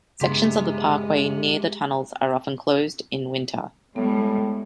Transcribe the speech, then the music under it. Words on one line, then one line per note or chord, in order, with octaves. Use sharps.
Sections of the parkway near the tunnels are often closed in winter.
G2 C#3 G#3 B3 G4 E5 C6 B6
A2 G3 G#3 B3